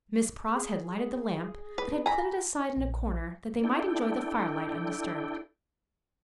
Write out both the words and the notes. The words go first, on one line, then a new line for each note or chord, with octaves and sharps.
Miss Pross had lighted the lamp, but had put it aside in a corner, that they might enjoy the fire-light undisturbed.
G#4
B4
G#5 A#5 B5
A#1
D4 E4 A4 G5